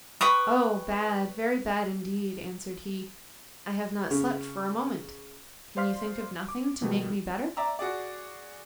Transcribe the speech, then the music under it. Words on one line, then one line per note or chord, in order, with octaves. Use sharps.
'Oh, bad; very bad indeed,' answered he; 'I have not slept for a moment. Can you think of nothing to make me better?'
B4 G5 C#6 D#6
C#3
C5 D5 F5 C6 F6 B6
D6
B2 D#3 F3 G3 A3
D5 E5 A#5 E6
F#4 G#4 D5